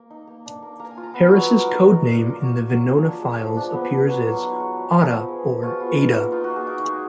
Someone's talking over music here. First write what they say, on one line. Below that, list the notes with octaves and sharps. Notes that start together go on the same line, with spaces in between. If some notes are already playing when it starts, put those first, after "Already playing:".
Harris's code name in the Venona files appears as "Ada" or "Aida".
Already playing: A#3
D#4
A#3
D4
A#3
A#3 A#5
G#5
F4
A#5
B3 B5
F#3
F#3 D#5
A#4
D#4
F4 A#4
A#3
F4 D5
A#4
A#3
F#4
A#3
F#3
F4 G#4
D4
G#3
F3
D4
B3
B3
F#3
F#3 F4
D#4
G#3 F#4
F3
F3 A#4
B3
G#3 G#4
F3
F4 F#4
B3
D#4
A#3
D#4 F4
F#4
A#3
G#4
D#4 A#4
G#3 G#4